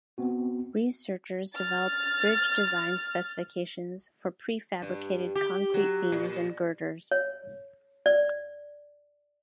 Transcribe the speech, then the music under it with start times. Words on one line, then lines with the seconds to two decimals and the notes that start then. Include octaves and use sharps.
Researchers developed bridge design specifications for prefabricated concrete beams and girders.
0.18 B3 C4 F#4
1.55 F6 A6
4.82 G2
5.36 G4
5.74 F#3
6.12 A#2
7.11 C#5
8.06 D5